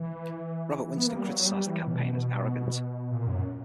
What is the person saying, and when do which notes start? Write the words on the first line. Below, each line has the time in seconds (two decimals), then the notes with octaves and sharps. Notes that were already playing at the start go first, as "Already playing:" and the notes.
Robert Winston criticised the campaign as "arrogant".
Already playing: E3
0.98 B3
1.07 A#3
1.16 G3
1.26 F#3
1.46 G3
1.67 E3
1.87 B2
3.11 A#2
3.27 F#2